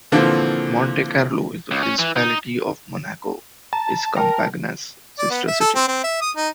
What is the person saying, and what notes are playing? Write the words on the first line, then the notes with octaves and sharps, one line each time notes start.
Monte Carlo in the Principality of Monaco is Campagna's sister city.
A#2 D3 E3 F3 C4
C#2
C#4
E3
D#4
A5 A#5
A#4 G5 A5
D5
B3
E5
A4
C4
C4
E5
D#6
D#4